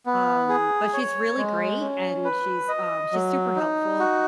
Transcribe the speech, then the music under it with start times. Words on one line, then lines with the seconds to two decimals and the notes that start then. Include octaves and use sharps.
Um, but she's really great, and she's, uh, she's super helpful.
0.06 B3
0.49 G#4
0.93 C#5
1.37 G#3
1.81 C#4
2.25 B4
2.68 D#5
3.12 F#3
3.56 D#4
4.00 F#4